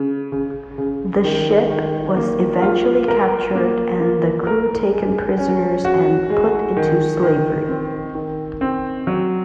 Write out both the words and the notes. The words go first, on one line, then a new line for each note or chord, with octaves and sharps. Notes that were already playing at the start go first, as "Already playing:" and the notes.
The ship was eventually captured and the crew taken prisoners and put into slavery.
Already playing: C#3
C#3
C#3
D#3
D#3
A#3
F4
A#4
A#3
A#3
A#4
G#3
C#4
F#4
G#3
D#3
D#3
C4
D#3
C4
F#3